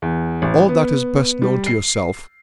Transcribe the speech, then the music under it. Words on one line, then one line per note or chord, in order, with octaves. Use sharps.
All that is best known to yourself.
E2
A1
B3
G3
C7